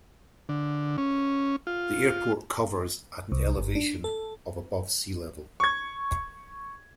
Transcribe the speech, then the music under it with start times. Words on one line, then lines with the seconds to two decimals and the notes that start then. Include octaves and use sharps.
The airport covers at an elevation of above sea level.
0.49 D3
0.98 C#4
1.67 F4
3.32 C2
3.57 G1
3.75 D4
4.04 A4
5.60 C#6 G#6